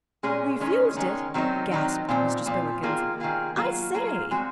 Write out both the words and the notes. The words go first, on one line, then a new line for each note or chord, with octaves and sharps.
"Refused it," gasped Mr. Spillikins, "I say!"
A#2 G#3 C#4 G#4
D#3 G#3 C#4
D#3 G#3 C#4
D#3 F#3 C4 D#4
D#3 F#3 C4 D#4
A#2 F3 C4
A#2 F3 C4
D#3 A#3 F4 G#4
D#3 A#3 F4 G#4
F#3 A#3 F4 G#4
F#3 A#3 F4 G#4
G#3 C4 F#4